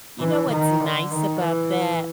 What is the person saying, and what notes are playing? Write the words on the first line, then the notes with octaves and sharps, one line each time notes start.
you know, what's nice about that?
E3
D#3
D3
D#3
E3